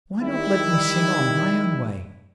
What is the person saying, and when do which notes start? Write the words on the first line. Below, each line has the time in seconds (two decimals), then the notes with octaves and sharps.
Why not let me sing on, my own way?
0.21 D#3 G3 E4